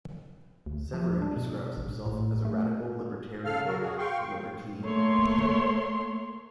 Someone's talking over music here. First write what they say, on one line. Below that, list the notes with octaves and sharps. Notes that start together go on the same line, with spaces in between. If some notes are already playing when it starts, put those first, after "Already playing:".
Severin describes himself as a radical libertarian, a libertine.
D2
F3
D4
B2
A1
A2
A3
C#3 A4 F5 F6
E2 B2 F#3 F#4 A#4
F#4 G#4
F5 G5 C6 C#6
A3 A#3 C#5 C6